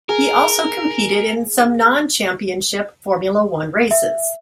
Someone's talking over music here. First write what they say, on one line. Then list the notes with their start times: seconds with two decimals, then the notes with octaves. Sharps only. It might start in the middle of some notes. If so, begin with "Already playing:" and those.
He also competed in some non-Championship Formula One races.
0.09 G#4 A#4
3.91 E5